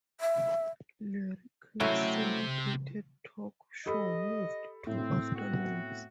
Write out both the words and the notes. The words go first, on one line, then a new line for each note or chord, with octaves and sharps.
Larry King's syndicated talk show moved to afternoons.
E5
C3 F#3 A3 C4 C#4 E4 F#4
G4 A4 D#5 B5
A2 C4
B3 C4 F#4